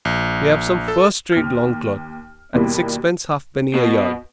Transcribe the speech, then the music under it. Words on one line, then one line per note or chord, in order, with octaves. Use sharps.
"We have some first-rate longcloth at sixpence-half-penny a yard."
A#1
A4
D#2 F6
D#2 B2 G3 A#3 E4
B2